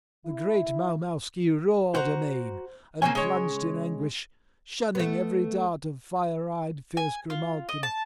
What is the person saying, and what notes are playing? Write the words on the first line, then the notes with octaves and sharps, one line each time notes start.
The great Mowmowsky roared amain and plunged in anguish, shunning every dart of fire-eyed fierce Grimalkin.
E4
F#4 C5 A#5
C#3 A#3 C4 C#4 G#5
G#3 C#5
A3 B3
G#5
F4
D#5
A5